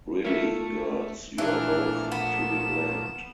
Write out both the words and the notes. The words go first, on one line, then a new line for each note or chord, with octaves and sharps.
Really, girls, you are both to be blamed.
A3 A#3 F4 A4 E5
A#2 E3 F3 A3 D4 F6
B3 E7